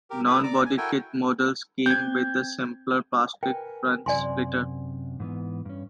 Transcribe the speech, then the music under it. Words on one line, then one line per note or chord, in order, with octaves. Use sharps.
Non-bodykit models came with a simpler plastic front splitter.
G4 A#4
A4 B4 E5 D#6
D5 A#5 D6
G#5
E4 F#4 A4 A#4 G5 G#5
C4 G6 G#6
A#4 B4 G5 G#5
F#2 C3 D5 G#5 C6
G#2 E3 B3
G2 C#4